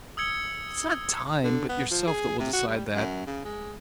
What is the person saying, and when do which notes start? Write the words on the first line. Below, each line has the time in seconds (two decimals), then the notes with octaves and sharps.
It's not time, but yourself that will decide that.
0.17 D#6 E6 G#6 C#7 G7
1.44 D3
1.69 B3
1.91 F3
2.07 G#4
2.39 C3
2.53 F#4
2.67 G3
2.95 F#2
3.27 C#3
3.45 G#3